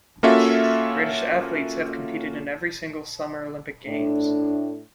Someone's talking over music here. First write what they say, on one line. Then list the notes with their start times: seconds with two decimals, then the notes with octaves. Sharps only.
British athletes have competed in every single Summer Olympic Games.
0.23 A#3 C#4 F4 F#4 A4 E5
3.86 A2 D4